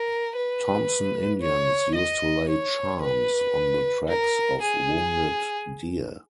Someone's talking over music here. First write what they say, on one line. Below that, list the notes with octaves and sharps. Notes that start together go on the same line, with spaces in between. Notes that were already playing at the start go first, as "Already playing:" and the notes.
Thompson Indians used to lay charms on the tracks of wounded deer.
Already playing: A#4
B4
C#5
D#5
C#5
B4
A#4
G#4